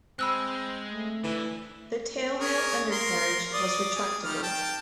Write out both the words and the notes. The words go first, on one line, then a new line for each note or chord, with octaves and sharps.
The tailwheel undercarriage was retractable.
G#3 C4 B5 E6 F#6
A3
D3 E3 E4
G#4 A#4 C#5
A#4 C6
D5 D#6
G#4
D#3 G3 F6
G5 A5